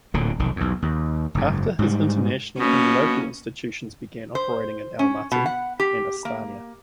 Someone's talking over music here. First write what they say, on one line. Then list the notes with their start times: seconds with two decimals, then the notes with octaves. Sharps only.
After this international and local institutions began operating in Almaty and Astana.
0.14 D1 A#2 D3
0.39 F1 B1 D#3
0.56 B1 E2
0.82 D#2
1.35 F#1 G#2
1.79 G#2 G3
2.60 B2 A#3 C#4
4.35 C5
4.99 C#4
5.32 B2
5.46 F#5
5.80 G4
6.25 A#3